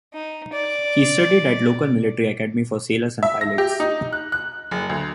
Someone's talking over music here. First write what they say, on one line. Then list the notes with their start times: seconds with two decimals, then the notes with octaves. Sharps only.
He studied at the local military academy for sailors and pilots.
0.14 D#4
0.53 D5
3.23 E5
3.41 A#6
3.58 G4
3.80 D#4
4.13 F#6
4.32 F#6
4.71 F#1
4.89 D2